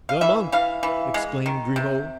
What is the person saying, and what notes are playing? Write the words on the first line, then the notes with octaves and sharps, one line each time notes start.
"The monk!" exclaimed Grimaud.
F5
E3 E5
E3 F5
E3
G#3
D#3
C3